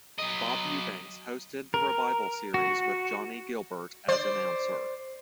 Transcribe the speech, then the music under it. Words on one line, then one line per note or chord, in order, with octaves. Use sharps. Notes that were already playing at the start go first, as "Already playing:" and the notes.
Bob Eubanks hosted the revival series with Johnny Gilbert as announcer.
F#3 D#5
A#4
F#4
C5 D5